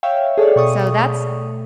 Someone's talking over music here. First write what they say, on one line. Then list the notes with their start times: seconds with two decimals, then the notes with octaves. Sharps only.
so that's
0.03 C#5 E5 F5 G5
0.38 G#4 A4 C#5 D5
0.56 B2 C#6 D#6
0.99 A3